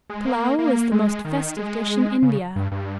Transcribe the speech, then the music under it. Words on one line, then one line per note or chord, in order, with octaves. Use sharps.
Pullao is the most festive dish in India.
G#3
A#3
A#3
G#3
D#3
G#3
C#3
G2
G2